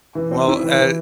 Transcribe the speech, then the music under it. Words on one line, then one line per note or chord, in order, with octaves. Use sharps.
Well, a
E3
C4
E4
E3
E3